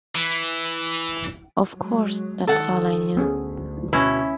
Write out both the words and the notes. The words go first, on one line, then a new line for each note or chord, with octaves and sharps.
Of course, that's all I knew.
E3
F#3 G#3
D#3 A4 F#5
D2 B3 C#4 G#4
B2 C#4 E4 B4